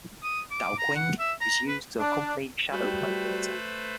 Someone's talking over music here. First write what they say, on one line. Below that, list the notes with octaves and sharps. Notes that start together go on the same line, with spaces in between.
Daoqing is used to accompany shadow play theater.
D#6
D6
A#5
F#5
E5
A#5
B4
D4
G3 A3 F#4 B4 C5